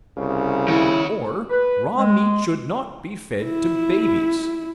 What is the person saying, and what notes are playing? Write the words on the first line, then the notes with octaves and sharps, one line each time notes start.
Or raw meat should not be fed to babies.
C2 C#3
D#3 E4 C#5
B4
G#3
E4